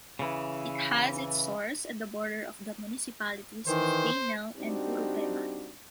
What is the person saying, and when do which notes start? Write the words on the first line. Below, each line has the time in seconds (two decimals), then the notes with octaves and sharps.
It has its source at the border of the municipalities of Painel and Urupema.
0.19 C#3 E3
3.67 D#3 E3 C5
4.57 G3 C4 D4 D#4 F#4 G4